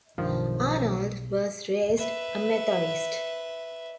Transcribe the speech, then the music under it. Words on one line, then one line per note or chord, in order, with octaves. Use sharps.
Arnold was raised a Methodist.
B1 G2 D#3 F3
B4 E5